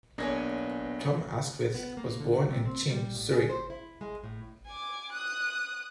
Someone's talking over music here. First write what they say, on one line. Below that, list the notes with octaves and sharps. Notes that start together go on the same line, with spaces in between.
Tom Askwith was born in Cheam, Surrey.
B1 A#3 B3 D4 G#4 C#5 G#5 A#6
B3
A#3
D3
C3
C4
G3
A2
G#4
C5
E4
G#3
A2
G#5 D6
D#6 F#6